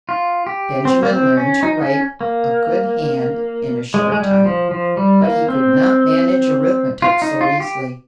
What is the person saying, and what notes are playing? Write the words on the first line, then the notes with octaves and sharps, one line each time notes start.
Benjamin learned to write a good hand in a short time, but he could not manage arithmetic so easily.
F4
G4
C4
A#3
C4
C#4
D#4
C#4
A#3
G#3
G#3
G3
F3
F3
G3
A#3
C4
F4
D#4
F4
G4